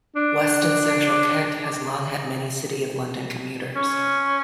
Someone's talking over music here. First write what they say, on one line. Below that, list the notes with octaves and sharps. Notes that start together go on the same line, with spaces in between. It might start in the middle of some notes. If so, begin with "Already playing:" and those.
West and Central Kent has long had many City of London commuters.
D4
C#4